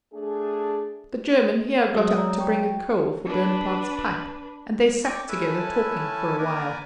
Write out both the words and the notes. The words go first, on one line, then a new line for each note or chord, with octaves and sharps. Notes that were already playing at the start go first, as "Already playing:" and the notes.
The German here got up to bring a coal for Bonaparte's pipe, and they sat together talking for a while.
A3 D4 G#4
F#3 G#3 E5 D#6 E6
C#5 D5 A#5
G5 C#6
D4 B4
D5 G5 C#6 D6
C#4 E4 A4 B4 G#5 A5
A#3 A#4 B4 D5 G#5 D6